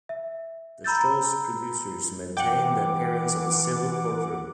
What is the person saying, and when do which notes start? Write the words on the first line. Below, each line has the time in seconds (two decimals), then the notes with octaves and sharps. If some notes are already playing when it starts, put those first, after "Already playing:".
The show's producers maintain the appearance of a civil courtroom.
0.09 E5
0.84 A#5 B5 E6 G6 A6
2.37 E3 F#5 G5 D6